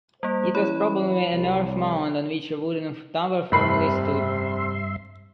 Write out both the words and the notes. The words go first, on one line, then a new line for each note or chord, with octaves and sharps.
It was probably an earth mound on which a wooden tower formerly stood.
G3 A#3 C5
E3 C#4 E4 C#5 B5
C2
F1 G2 C3 E5 B5 C6 C7